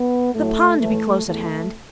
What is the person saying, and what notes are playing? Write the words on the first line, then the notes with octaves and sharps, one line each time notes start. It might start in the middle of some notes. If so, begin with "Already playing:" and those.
The pond be close at hand.
Already playing: B3
A2 F#3 A3
A2 E3 A3
E2 E3 A3